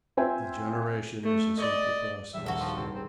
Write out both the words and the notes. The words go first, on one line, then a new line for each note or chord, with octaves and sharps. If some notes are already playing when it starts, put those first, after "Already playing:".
The generation is a simple process.
C4 F4 C5 E5 G5 G#5
A3
D5 D#5
A#1 E3 G3 E5
D#2 C4 F#4 A4
F3
G#1 C#2 C4
C4